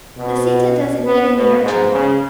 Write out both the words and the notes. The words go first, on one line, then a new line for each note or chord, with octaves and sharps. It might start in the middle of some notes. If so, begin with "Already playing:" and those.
Lisita doesn't need any urging.
B2
B3
B2
G#2
C#3